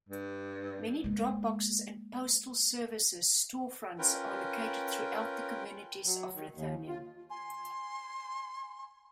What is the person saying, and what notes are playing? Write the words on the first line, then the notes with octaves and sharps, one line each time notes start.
Many drop boxes and postal services storefronts are located throughout the communities of Lithonia.
G2
G#3 A#3
C#4 F4 A#4 B4 G5
F#3
D#3
D#2
F4
G#5 C6